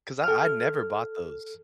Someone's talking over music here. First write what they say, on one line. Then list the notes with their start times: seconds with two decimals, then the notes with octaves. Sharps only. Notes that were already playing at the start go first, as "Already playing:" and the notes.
'Cause I I never bought those.
0.24 A4 F6